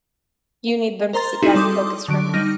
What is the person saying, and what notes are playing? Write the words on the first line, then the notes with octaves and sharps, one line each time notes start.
you need them to sit down and focus for a minute.
A#4 C5 A#5 C6 A6
C4 D#4 E4 F#4 G#4
G3 A4 C6 D6 D#6
D3 F#3 D7
G3 D#4 F6 A#6